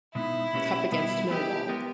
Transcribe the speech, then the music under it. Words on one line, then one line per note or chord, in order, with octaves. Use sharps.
Cup against Millwall.
B2 G#3 B3 D#4 E4
B2 A#3 C#4 G4 B4
B2 G3 B3 E4
B3 E4 G4 G#4 B4 D#5
G#3 B3 G4 A#4